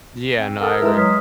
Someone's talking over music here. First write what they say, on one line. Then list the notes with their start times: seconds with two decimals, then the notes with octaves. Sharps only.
Yeah. No, I agree.
0.35 C4
0.61 A4 A#4 F#5 D#6 E6
0.82 G#3 E4 B4 E5 A#5
0.96 F#3 D#6 F6 B6